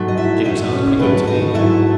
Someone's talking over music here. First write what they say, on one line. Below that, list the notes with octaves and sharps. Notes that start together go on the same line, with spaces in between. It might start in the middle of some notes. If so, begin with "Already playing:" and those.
Jim sounds pretty good to me.
Already playing: G#2 F#3 A3
D#5
E4 E5
G#2 F#3 A3 D#4 D#5
C#4 C#5
G#2 F#3 A3 B3 B4
D#4 D#5
G#2 F#3 A3 E4 E5